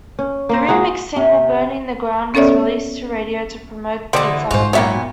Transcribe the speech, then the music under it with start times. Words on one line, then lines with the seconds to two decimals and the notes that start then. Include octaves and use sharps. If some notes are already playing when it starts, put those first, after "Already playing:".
The remix single "Burning the Ground" was released to radio to promote this album.
0.19 C#4
0.49 A#3 C5
0.68 G#3 D#4 F#4 G#4
1.16 C3
2.34 B3 C#4 A4 C#5 D5 E5
4.13 D3 E3 A#3 G4 C5 D5 D#5
4.51 G#2 G#3 F4 F#4 C5
4.73 A#2 A#3 B3 F#4 G4 C#5 E5